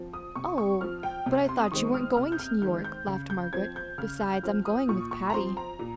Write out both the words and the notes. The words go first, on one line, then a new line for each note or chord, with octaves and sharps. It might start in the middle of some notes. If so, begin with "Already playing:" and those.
"Oh, but I thought you weren't going to New York," laughed Margaret. "Besides--I'm going with Patty."
Already playing: F3 C4
D#6
C3 C#6
C#6
F3 C4 F6
G5
C3
C6
D#6
D#3 G#3 C4 C#6
F6
C3 F6
G6
F6
D#3 G#3 C4 G6
G6
C#3
G6
F3 C4 G#6
G6
C#3 F6
G6
F3 C4 F6
D#6
A#2 C#6
C#6
A#5
F3 C4 C6
A#5
A#2